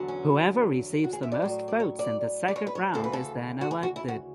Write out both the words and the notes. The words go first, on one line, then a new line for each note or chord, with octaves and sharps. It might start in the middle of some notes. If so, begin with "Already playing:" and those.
Whoever receives the most votes in the second round is then elected.
Already playing: E2 D3 F#3
C#4
F#4
G#4
E5
D5
A2 F#3
D5
C#5
D5
D5
C#5
B4
C#5
D2 C#3 E3 A4
B4
A4
F#4
G#4
F#4
E4
F#4